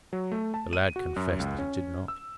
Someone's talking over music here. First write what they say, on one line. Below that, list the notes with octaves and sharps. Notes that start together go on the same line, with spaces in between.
The lad confessed that he did not.
F#3
A3
A5
D#7
F#4
F#2
C#2
C#4
E6